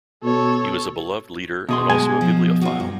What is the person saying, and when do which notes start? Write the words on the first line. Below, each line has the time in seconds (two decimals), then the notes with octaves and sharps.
He was a beloved leader and also a bibliophile.
0.24 B2 A4 C#5
1.69 B2 G#4 C6
1.90 G#3 G#5
2.21 F3
2.61 F4 F#4
2.80 G2